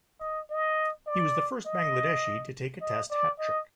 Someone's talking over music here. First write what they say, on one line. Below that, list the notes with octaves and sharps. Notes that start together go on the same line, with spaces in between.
He was the first Bangladeshi to take a Test hat-trick.
D#5
D#5
D5
D#5
D#5
D5
D#5